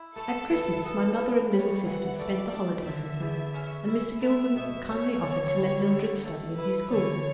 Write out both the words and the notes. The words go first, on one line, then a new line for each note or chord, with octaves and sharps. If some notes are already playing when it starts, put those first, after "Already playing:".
At Christmas, my mother and little sister spent the holidays with me, and Mr. Gilman kindly offered to let Mildred study in his school.
Already playing: E4
A3 A4
E3
B3 A4
E3
G3 C#5
E3 F#5
A3 D5
D4
D3 E5
E2
C#4
E4
A3 E5
B2
C#4 C#5
D3
G3
D3
A3
E4 B4
D3 C#5